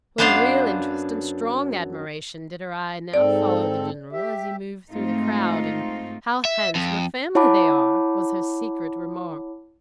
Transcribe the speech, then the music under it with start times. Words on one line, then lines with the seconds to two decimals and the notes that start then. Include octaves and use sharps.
With real interest and strong admiration did her eye now follow the general, as he moved through the crowd, and "How handsome a family they are!" was her secret remark.
0.18 F#2 B3 D4 C5 F5 C6
3.14 G#2 C4 A4 D5
4.13 G4 E5
4.91 G#2 A3 C4 D#4 F4
6.45 E5
6.75 F2
7.35 E4 C#5 F#5 A5 B5 D6